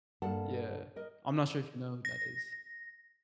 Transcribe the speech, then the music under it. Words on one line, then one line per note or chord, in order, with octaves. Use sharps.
Yeah. I'm not sure if you know who that is.
G2 A#3 A4 F#5 A5
A#4 D#5
A#6